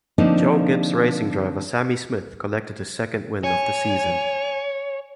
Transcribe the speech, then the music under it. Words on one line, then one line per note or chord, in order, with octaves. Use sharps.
Joe Gibbs Racing driver Sammy Smith collected his second win of the season.
D3 F3 A#3 C4 D4 D#4
C#5 G#5